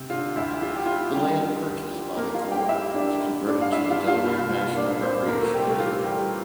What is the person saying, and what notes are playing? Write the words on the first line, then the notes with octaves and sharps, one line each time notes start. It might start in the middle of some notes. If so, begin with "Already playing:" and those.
The land purchased by the Corps was converted to the Delaware National Recreation Area.
Already playing: C3
D3 F4
D2 E4
F3 F4
G4
F3 F4
D3 G3 G4
F3
D2
F3
F2 A#3 A#4
F4 F5
G3
G4 G5
F2 E4 E5
D3 D4 D5
D3
G2 D4 D5
F5
G2 E4 E5
F4 F5
G2
F4 F5
C2
C2
A#2 D4 D5
A#2 C4 C5
D2 A#3 A#4
A3 A4
C3 G3 G4
A3 A4
E3 F4
E3 G3 G4